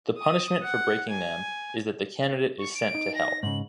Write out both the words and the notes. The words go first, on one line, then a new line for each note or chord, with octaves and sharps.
The punishment for breaking them is that the candidate is sent to Hell.
D#6
F#5
G#5
C#6
D7
D#4
A#6
G#2 C#3 F#7